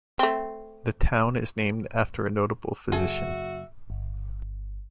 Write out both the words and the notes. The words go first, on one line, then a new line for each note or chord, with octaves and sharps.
The town is named after a notable physician.
A3 C4
F#1 F#2 F#4 G#4 A4 E5
G1